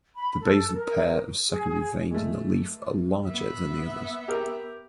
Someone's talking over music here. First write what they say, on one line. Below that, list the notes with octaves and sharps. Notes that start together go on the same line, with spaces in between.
The basal pair of secondary veins in the leaf are larger than the others.
B5
A4
A#4
G#4
G#3 A3
B3 E5
G4 A#4